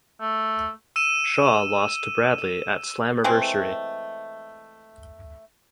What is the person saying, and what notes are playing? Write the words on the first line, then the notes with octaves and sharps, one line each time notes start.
Shaw lost to Bradley at Slammiversary.
A3
E6 D#7 E7
E3 G#3 A3 C4